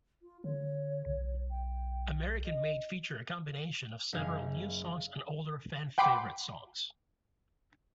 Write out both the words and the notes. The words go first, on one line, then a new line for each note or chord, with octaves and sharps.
American Made featured a combination of several new songs and older fan-favorite songs.
F4
D3 C#5
B1
G5
D#5
F#1 D#4 F5 G#5 G#6
F#5 G5 B5 C6 D6